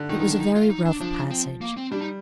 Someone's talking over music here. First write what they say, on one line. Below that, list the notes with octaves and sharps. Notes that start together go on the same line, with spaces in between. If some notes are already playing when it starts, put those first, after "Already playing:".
It was a very rough passage.
Already playing: D3
D#3 D#4
D#4
D4
D#4
F4
D#4
D4
F3 D4
C4
A#3
C4
G3 D4
D#4